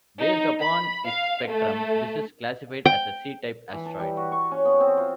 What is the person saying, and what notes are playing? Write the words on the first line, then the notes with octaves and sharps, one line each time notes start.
Based upon its spectrum, this is classified as a C-type asteroid.
D#4
B5
F5
A3
G5
E3
A5
G3
F#4
C#6
C#4
B3
C4
F4